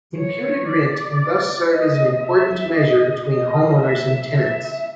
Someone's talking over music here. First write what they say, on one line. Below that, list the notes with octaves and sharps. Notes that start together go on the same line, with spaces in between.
Imputed rent can thus serve as an important measure between home owners and tenants.
C#5
D5
D#5
E5
D#5
D#5
E5
E5